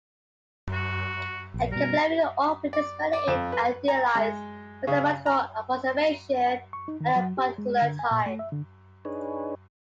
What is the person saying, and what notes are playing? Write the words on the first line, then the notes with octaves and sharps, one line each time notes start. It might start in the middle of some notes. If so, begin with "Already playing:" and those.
A Keplerian orbit is merely an idealized, mathematical approximation at a particular time.
F#4
A#1
B2 G3 A#4
D5
D5
F2
B4
A#5
G#3
C#3
A#5
C#6
D#4
D#3
F#3
G4
G#3
D3
G#5
A#2
A3
E5
D3
D4 D#4 G#4 B4 C#5